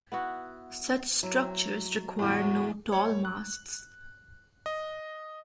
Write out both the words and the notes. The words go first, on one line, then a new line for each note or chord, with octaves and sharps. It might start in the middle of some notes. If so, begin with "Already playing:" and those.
Such structures require no tall masts.
B3 E4 F#4
F#3 E4
E2 A2 F#4
C#5
F#6
D#5